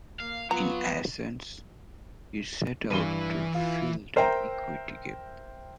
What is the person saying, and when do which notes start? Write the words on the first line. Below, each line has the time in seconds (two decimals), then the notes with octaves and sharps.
In essence it set out to fill the 'equity gap'.
0.20 A#3 F5
0.51 F#3 B3 F4 A#5
2.91 G2 E3 B4 D#7 G7
3.54 F4
4.16 A#4 C5 E5 G5 A#5